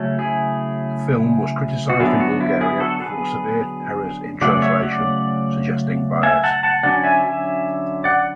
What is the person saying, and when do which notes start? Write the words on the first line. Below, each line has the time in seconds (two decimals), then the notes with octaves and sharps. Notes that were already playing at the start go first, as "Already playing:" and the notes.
The film was criticised in Bulgaria for severe errors in translation, suggesting bias.
Already playing: C#3 F#3 A3 C#4
0.19 E4 G#4
1.90 F#4
2.00 D3 F#3 B3 E4 G#4
2.20 F#4
2.40 E4
2.61 E4 G#4
2.80 F#4 A4
3.00 G#4 B4
4.42 C#3 F#3 A3 C#4 D5 F#5
4.62 C#5 E5
4.82 D5 F#5
6.23 E5 G#5
6.44 F#5 A5
6.63 F#5 A5
6.83 D3 F#3 C#4 D5 F#5
7.04 E5 G#5
7.24 E5 G#5
8.04 D5 F#5